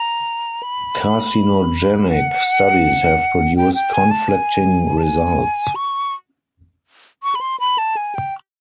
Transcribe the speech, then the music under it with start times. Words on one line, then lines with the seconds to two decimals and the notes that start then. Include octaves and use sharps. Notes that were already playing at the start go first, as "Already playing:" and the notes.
Carcinogenic studies have produced conflicting results.
Already playing: A#5
0.63 B5
2.09 F#5
3.56 G5
3.75 G5
3.93 G#5
4.11 A5
4.29 G#5
4.98 A5
5.03 G#5
5.76 C#6
7.23 C#6
7.35 B5
7.41 C6
7.60 B5
7.78 A5
7.97 G#5
8.15 G5